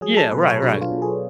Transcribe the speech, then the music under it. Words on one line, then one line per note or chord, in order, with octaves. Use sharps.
Yeah. Right, right.
F#3 G#4
A4
B2 B4
C#5
F#3 D4
F4
B2
G#4